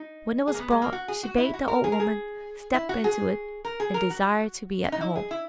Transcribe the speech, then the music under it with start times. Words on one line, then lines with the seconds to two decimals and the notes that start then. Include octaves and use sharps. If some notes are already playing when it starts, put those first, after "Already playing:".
When it was brought she bade the old woman step into it and desire to be at home.
Already playing: D#4
0.48 G#4
0.54 A#3
0.59 B3
0.70 G#3
0.82 A#3
0.93 F#4
1.08 G#4
1.23 F#4
1.38 E4
1.54 F#4
1.68 A#4
1.84 G#4
1.92 A#4
2.00 G#4
2.74 E4
2.89 F#4
3.04 G#4
3.65 A#4
3.80 G#4
3.94 A#4
4.10 F#4
4.84 C#4
4.92 D#4
5.01 E4
5.16 G#4
5.31 E4